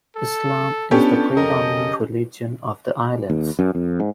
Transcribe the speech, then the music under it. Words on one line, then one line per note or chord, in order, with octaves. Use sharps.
Islam is the predominant religion of the islands.
A4
B3 C#4 D4 F4 G4 A4
F2 C#3 A#4 D#5
D#2
F#2
F2
G#2